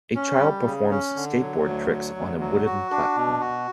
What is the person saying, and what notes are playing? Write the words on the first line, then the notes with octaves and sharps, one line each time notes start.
A child performs skateboard tricks on a wooden platform.
C#4
G3
C#3
C#4
D3
F#3
D2
F#3
D2
F#3
F#4
D4
B2
F#4